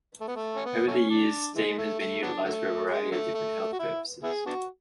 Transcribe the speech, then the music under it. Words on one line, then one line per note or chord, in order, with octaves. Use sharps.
Over the years, steam has been utilized for a variety of different health purposes.
A3
B3
A3
C#4
B3
F#3 A3 C#4
D4
E3 G#3
A3
A3
F#3 B3 D4
D3 F#3 A3
G#3
D3 F#3 A3
A3
F#4
E4
B3 E4 G#4
B3 D4 F#4